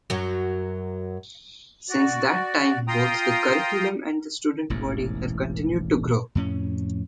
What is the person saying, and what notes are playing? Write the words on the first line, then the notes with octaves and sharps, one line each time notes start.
Since that time, both the curriculum and the student body have continued to grow.
F#2 F#3
F#4 D5
F4 G5 A#5 C6 D#6
E1 A1 G#2
F2 A2 C#4